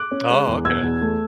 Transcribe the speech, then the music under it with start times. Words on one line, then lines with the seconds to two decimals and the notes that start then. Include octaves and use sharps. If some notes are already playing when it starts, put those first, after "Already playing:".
Oh, okay.
Already playing: D6 F#6
0.11 C#4
0.30 G#3
0.47 E2
0.65 B2 E6 G#6
0.83 E2
1.02 A3